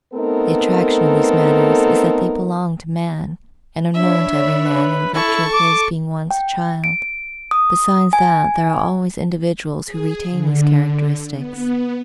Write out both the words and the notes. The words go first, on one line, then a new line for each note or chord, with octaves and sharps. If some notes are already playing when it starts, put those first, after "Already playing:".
The attraction of these manners is that they belong to man, and are known to every man in virtue of his being once a child; besides that there are always individuals who retain these characteristics.
A3 B3 C4 D#4 A4 A#4
D4 C#5 E5 B5
B4
E4 A4 A5 C#6
D6
G5
D7
D#6
G#5
G#4
D3
B3